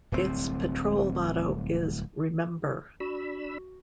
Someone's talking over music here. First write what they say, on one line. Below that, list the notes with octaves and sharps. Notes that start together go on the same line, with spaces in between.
Its patrol motto is Remember!
D1 C2 C#3 C4
D4 F#4 B5 E6